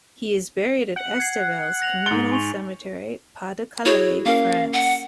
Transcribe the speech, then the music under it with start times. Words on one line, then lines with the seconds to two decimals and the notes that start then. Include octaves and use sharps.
He is buried at Estevelles Communal Cemetery, Pas-de-Calais, France.
0.96 F#5
1.20 G#6 C7
1.82 A#6 F7 F#7
2.06 G#2 C6 A6 C#7 G7
2.32 G#5 C#6 F7
3.86 E4 F#4 G#4 C#5
4.26 A#3 C#4 A#4 F5
4.73 F#5